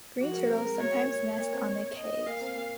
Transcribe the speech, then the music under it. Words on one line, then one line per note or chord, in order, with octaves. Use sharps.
Green turtles sometimes nest on the cays.
F3 F4 F#4
A#4
G#3 G#4
C4 A#4 C5
G#3 G#4
F#3 F#4 C#5
A#3 A#4
C#5
A#3 A#4
C4 C5
D#5
A#3 A#4 F5
C4 C5
A#3 A#4